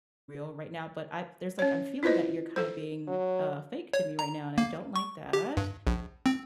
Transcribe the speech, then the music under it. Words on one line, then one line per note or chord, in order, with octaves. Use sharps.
real right now, but I there's like, I'm feeling that you're kinda being, uh, fake to me right now, and I don't like that.
C#4 C#5
E4 F4 B4 C5 D#5
A4 C5
F#3
C#5
A#5
A#3
C#6
G4
G2
A#1
C4